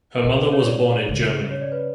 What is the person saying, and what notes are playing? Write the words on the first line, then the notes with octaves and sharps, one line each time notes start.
Her mother was born in Germany.
A#4
B2 B4
C#5
D5
C#3
C#5
D5
B4